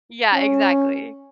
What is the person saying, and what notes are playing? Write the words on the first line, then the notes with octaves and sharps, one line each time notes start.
Yeah, exactly.
C#4